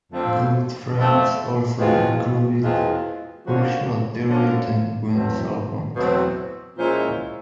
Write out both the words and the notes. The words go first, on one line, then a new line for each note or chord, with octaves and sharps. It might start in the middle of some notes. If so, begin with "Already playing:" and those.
Good friends also included Ursula Tyrwhitt and Gwen Salmond.
F2 D3 F3 A3 C4
F2 D3 F3 A3 C4
E2 B2 G#3 C4 F4
E2 B2 G#3 C4 F4
D3 F3 A#3 C#4 F#4
D3 F3 A#3 C#4 F#4
E2 B2 F#3 A3 C4
E2 B2 F#3 A3 C4
A#2 F3 G#3 C#4 E4